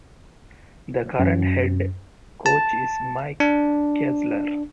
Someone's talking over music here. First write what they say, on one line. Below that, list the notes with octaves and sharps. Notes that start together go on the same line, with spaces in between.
The current head coach is Mike Kesler.
F#2
A5
D4